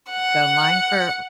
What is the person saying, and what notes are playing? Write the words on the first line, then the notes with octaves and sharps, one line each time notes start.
go mine for
F#5